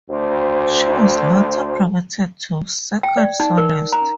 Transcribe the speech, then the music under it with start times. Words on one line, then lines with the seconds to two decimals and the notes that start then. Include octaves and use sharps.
She was later promoted to second soloist.
0.10 D2 C5
3.03 G5
3.17 D5
3.40 D#4
3.58 A#4
3.92 A#5